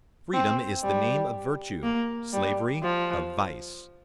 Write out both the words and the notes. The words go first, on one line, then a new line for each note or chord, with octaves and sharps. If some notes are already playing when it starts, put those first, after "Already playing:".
Freedom is the name of virtue: Slavery, of vice. . . .
C4
G3
A#3
G3
F3